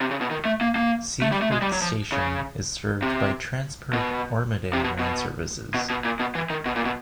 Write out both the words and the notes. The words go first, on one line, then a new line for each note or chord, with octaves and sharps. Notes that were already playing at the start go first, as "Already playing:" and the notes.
Seaforth station is served by Transperth Armadale line services.
C3
C#3
B2
D#3
A3
A#3
A#3
A3
G3
A3
G#3
G3
F#3
F3
C#3
C3
B2
C3
B2
B2
B2
B2
A#2
B2
E3
D#3
B2
A#2
B2